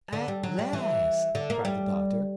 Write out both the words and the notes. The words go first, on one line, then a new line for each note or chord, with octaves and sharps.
"At last!" cried the Doctor.
D3
G3
F#3
G3
E3
D3
A#3
G3